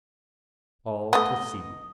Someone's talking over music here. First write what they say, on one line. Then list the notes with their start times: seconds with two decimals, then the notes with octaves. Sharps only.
All to see.
1.13 A3 B3 D#5